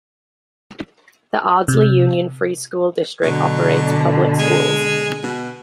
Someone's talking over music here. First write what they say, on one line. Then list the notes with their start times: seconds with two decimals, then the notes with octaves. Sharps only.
The Ardsley Union Free School District operates public schools.
1.68 C3
3.23 B2 D3 F#3
4.39 G#3
5.23 B2